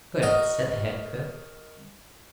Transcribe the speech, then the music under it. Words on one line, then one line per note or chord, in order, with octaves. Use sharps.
'Good,' said the head cook.
F#4 A#4 D#5